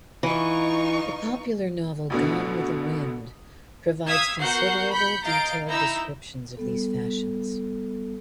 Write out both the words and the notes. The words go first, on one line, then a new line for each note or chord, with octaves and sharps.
The popular novel "Gone with the Wind" provides considerable, detailed descriptions of these fashions.
E3 D#4 F4 C#6
A1 B2 D3
F5 D#6 E6 G#6 B6
B3 F#4 A#4 F#5 G6 C7
B5 G6 B6 C#7
D#5 F5 A#5 G6 A6 D7
D#4 E4 A#5 E6 G6
G3 B3 A4